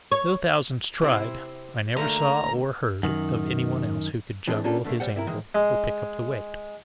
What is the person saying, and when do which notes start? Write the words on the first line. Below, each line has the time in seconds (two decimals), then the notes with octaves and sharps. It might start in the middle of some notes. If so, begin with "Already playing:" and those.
Though thousands tried, I never saw, or heard, of anyone else who could juggle his anvil or pick up the weight.
0.12 C#5
1.02 C3 C4 E4
1.97 D3 A3 A#3 A#5
3.03 F#2 D#3
4.47 E3 G#3 A3 C4 D4
4.64 A#3 C#4 D4 F4 G4 A4
4.84 D3 A3 A#3
5.00 A#2 G3 C5 F#5
5.16 C3 E4 A#4
5.27 G#2 D#3 E3 G#3 A#3
5.55 G#3